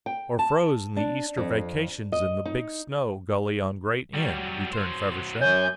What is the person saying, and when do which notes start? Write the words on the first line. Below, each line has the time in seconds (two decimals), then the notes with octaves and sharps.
"Or froze in the Easter vacations in the big snow-gully on Great End," returned Feversham.
0.06 G5
0.39 A5
0.97 D4
1.37 F2
2.12 D#5
2.45 D#4
4.14 F#3 G3
4.73 F#3 C5
5.41 F#2 C#5 G#5 G6